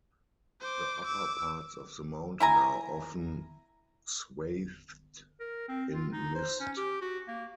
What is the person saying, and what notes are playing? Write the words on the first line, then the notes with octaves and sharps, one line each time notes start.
The upper parts of the mountain are often swathed in mist.
C5 D6
D6 E6
E4 G#5 A#5
A#4
C4
F4
D#4
C5
C#4
G4
F#4
A#3